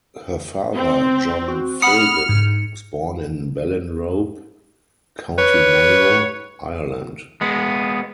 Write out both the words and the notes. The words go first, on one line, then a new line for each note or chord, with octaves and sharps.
Her father, John Philbin, was born in Ballinrobe, County Mayo, Ireland.
C4
F#4
F#5 B5 D#6 F6 C#7
G#2
B4 C#5
G#3 B3